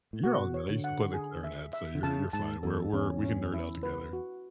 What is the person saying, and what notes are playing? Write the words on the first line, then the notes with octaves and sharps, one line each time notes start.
You're all good, I used to play the clarinet, so you're you're fine. We're we're we can nerd out together.
A2
B2 F#4
C#5
D3
F#5
G#4
E5
E5
D3
C#3 A5
G#2 A5
E2 A4
E2 C#4
C#4
E4
B4
F#4